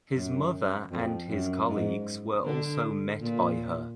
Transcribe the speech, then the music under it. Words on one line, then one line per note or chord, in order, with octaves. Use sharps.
His mother and his colleagues were also met by her.
F#2
F2
F#2
G#2
D3
A#2